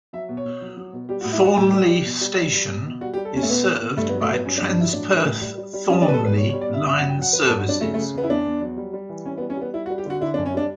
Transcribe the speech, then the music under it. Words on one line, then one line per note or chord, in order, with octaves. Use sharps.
Thornlie station is served by Transperth Thornlie line services.
F#3 E5
B2
C#5
B2
F#3
F#3
B2
G3 G4
F#4
A2
E4
G3 F#4
A2 G4
G3
G3
B2
G3
G3
G3
B2
B2
G3 F#4
G4
G3
A4
E2 C#4
A3
B2 B3
B2
B2
G2 A3
B3
F#3
A3
F#3 B3
G2 C#4
D4
G2
D4
F#3 E4
A2 D4
G3
A2
G3
G3
G3
G3 C#4
D4
B2 B4
A4
G3 B4
B2 C#5
C#5
G3
D5
B2 E5
G2 E5
F#5
F#3
G5
F#3 F#5
F#3 B4
A4
G2
F#4
F#3 D4
C#3 A3
A3
C#3
E2 B3
E4
E2 D4
E2
F#3
G3
G3
E3
E3 C#4
B3
G3
C#4
G3 B3
G3 E4
F#4
G3
G4
D3 F#4
D3 E4
D4
F#2
C#4
G3 D4